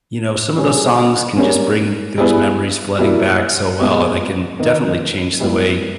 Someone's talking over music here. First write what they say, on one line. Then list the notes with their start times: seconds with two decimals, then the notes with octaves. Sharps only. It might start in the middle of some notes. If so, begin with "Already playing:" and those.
you know, some of those songs can just bring those memories flooding back so well, and they can definitely change the way
0.57 A#2 G3 C#4 G#4
1.37 G3 A#3 C#4
2.18 G3 B3 E4 G#4 B4
2.98 B2 G3 A#3 E4
3.79 A#2 G#3 B3 G4
4.59 D#3 A#3 D#4
5.40 G#2 G3 B3 E4 G4